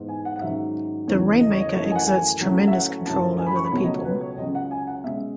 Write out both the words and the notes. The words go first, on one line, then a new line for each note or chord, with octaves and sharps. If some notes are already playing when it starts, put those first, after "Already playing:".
The rain-maker exerts tremendous control over the people.
Already playing: G#2 E3 B3
G#5
F#5
F#5
G#2 D#3 F#3 C#4 E5
E2 C#3 E3 A3 C#5
D#5
C#5
D#5
F#2 E3 A3 C#5
D#5
G#5
F#5
G#5
A2 F#3 A3 C#4
E5
F#5
F#2 E3 A3 C#4 A5
G#5
B5
C#6
B5
C#2 B2 F#3 A3 C#5
D#5
C#5
B4
C#5
C#2 C#3 F#3 C#4 D#5
F#5
G#5
F#5
B2 G#3 C#4 E5